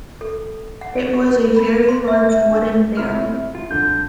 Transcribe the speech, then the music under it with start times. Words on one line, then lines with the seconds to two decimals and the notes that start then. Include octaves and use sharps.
It was a very large wooden barrel.
0.21 A4
0.81 F#5
1.13 G4
1.56 B5
1.89 C6
2.08 E5
2.29 E5
2.51 D4
2.97 C3 E4 F6
3.55 F4
3.71 D3 G6